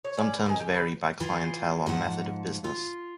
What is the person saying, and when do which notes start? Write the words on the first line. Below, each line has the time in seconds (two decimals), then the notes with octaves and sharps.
Some terms vary by clientele or method of business.
0.05 C#5
0.17 C#4 D5
0.35 B4
0.46 D#3 G#5
0.60 G4
0.74 B4
1.20 E3 F4 G#4
1.86 G#2 F3 F#5 A5
2.64 F4